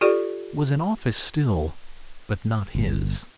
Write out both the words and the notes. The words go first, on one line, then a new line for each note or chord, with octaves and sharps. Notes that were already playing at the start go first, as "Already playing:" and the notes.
It was an office still, but not his.
F4 G4 A4 D5
G1